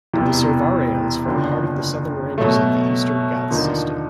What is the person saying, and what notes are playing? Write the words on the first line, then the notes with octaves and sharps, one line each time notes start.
The Servarayans form part of the southern ranges of the Eastern Ghats System.
E1 E2 C3 E3
F#1 F#2 D3 F3
B2 F#3 A3
D#2 D3 F3 A#3 D#4